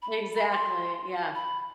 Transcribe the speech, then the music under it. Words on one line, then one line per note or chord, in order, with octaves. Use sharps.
Exactly, yeah.
B5
B5
C6
B5